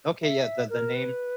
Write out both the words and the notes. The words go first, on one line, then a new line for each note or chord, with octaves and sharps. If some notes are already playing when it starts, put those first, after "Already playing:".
Okay, yeah, the the name
E5
A#4
B4